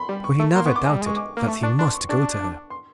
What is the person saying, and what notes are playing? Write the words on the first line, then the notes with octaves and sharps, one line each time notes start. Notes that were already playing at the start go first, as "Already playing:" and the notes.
For he never doubted that he must go to her.
Already playing: B5 C6
G3
C#6
A3
A#3 C6
B3 C#6
D6
G#3
G3
G#3 C#6
D6
A#3
A3 C#6
D4 C#6
D4 C6
C#6
D4 C#6
C6